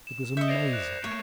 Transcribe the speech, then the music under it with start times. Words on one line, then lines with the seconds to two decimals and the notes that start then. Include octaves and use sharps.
It was amazing.
0.07 E7
0.37 D#5 E5 G6 C#7
0.49 C5 D5 A#6 C7 F7
0.73 F#6 E7
1.04 A3 A#3 C#5